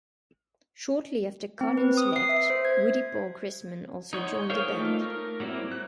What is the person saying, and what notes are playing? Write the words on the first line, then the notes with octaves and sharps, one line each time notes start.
Shortly after Collins left, "Woody Paul" Chrisman also joined the band.
C4
B4
D#6
C7
E5
C5
G#6
D#4 C#5 F#5 C6
G#4 A#4 C5 C#5 F5
A3 A#3 D#4 F4
A#4
F#3 G3 A#3 C4 E4
F#6